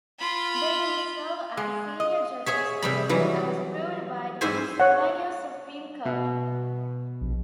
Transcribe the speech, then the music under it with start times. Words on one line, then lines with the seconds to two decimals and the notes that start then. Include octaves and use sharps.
They may serve as Senior Judges though, as approved by the Pennsylvania Supreme Court.
0.19 F4 B5
1.57 G#3
2.00 D#5
2.46 G#4 C#5 E5
2.82 C3 G3 B5
3.09 E3 F#3 G3
4.41 G#2 C4 E4 C5 E5 G#5
4.80 C#5 F#5
6.05 B2
7.21 A#1